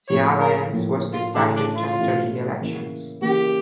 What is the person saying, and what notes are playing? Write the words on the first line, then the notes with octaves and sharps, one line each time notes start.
The alliance was disbanded after the elections.
A2 F3 A#3 C#5
A#4
A2 F3 A#3
F4
A2 E3 A3 C#4 D4 E4
D4
F4
A2 E3 A3 C#4 E4
C#3 E3 A#3
C#3 E3 A#3 G4